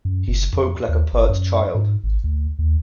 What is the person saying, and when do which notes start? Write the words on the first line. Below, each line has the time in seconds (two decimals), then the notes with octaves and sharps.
He spoke like a pert child.
0.05 F#2
0.28 F#1
0.53 F2
0.89 D#2
1.13 G1
1.29 F#2
1.75 G#2
2.04 G#1
2.24 D2
2.59 D#2